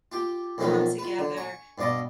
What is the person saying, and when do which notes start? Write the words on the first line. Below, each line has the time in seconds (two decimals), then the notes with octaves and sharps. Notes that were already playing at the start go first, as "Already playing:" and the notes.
come together,
0.12 F4 G4
0.58 B1 F2 D#3 F#3 A#3 B5
0.98 F4 B4
1.19 D3
1.37 G#5 C#6
1.78 G2 B2 D5 D#5